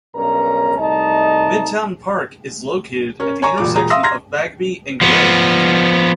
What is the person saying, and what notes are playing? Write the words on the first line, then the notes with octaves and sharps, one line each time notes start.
Midtown Park is located at the intersection of Bagby and Gray.
B1 G2 C#4 A#4 A#5
C2 A3 D#4 D#5 A5 A#5
C#4 A#4
C#5 G#5 A#5 C#6
E1 A#2 D6
E1 A#2 G#4 A#5
E5 F5 C6 D#6 E6 A#6
A#5 C6 F6 G#6 A#6
F3 B3